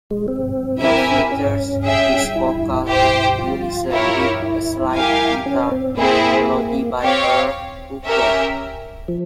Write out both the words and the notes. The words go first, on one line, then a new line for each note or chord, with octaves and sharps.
It features his vocal in unison with a slide-guitar melody by Earl Hooker.
G#3
C4
E4 G4 A#4 E5 G#5
C#4
G#4 E5 G5
E4
G4 C5 G5
F4
E4 G4 A#4 C#5
E4
G4 A#4 F5 G#5
C#4
C4
A#3 C4 E4 G#4
C4 G4 C#5 F5
C#4 G4 A#4 E5
F3